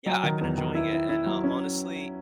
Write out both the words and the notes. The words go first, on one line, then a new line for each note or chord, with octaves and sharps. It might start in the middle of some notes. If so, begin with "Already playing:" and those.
yeah, I've been enjoying it, and, uh, honestly,
F#3
D#3
E2
D#3
E4
E4
E4
F#3
C#4